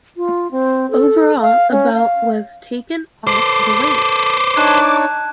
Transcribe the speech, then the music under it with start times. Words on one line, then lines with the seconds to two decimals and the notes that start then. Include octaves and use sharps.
Overall about was taken off the weight.
0.17 F4
0.51 C4
0.91 A4
1.42 F5
1.71 C#4
1.94 F5
3.27 A4 B4 C5 D6
4.56 D4 D#4 C#5 A5 F#6 G#6